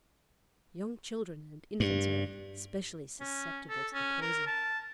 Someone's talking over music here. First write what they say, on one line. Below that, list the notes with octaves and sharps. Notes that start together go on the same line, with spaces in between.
Young children and infants are specially susceptible to the poison.
G2
C#4
A4
C#4
A#4
A5